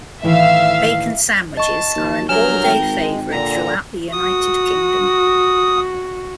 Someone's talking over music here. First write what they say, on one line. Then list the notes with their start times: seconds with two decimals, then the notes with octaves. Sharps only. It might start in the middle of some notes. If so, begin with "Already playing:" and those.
Bacon sandwiches are an all-day favourite throughout the United Kingdom.
0.23 A2 D#3 E3 E5 F5
1.57 D#5 A5 C#6
1.95 D#2
2.29 G2 F#3 A#4 G#5 F6 G6 E7
2.64 G#1 G5
3.01 G#3
3.31 A#2 D3 A#5
4.13 F#4 D#6